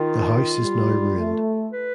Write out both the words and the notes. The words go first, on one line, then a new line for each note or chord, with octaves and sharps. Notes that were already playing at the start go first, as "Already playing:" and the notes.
The house is now ruined.
Already playing: D#3 F4
G3
A3
B4